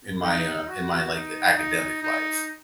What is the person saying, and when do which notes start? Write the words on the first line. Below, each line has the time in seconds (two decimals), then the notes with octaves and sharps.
in my, uh in my, like, academic life.
0.24 D#4
0.68 F#4
1.13 D#4
1.58 D#4
2.03 D#4